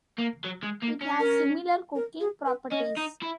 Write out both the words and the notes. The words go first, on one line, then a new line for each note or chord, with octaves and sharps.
It has similar cooking properties.
A#3
F#3
G#3
A#3
C#4
A#4
A#4
G#4
B4
C#4 D#5
D#4
E4